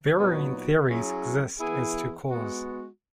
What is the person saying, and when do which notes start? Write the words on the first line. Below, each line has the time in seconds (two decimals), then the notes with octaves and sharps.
Varying theories exist as to cause.
0.16 A#2 F#3 B3 D#4 F#4
0.86 F#3 C#4 E4 G#4
1.58 E3 B3 E4 G#4
2.29 G#3 B3 F#4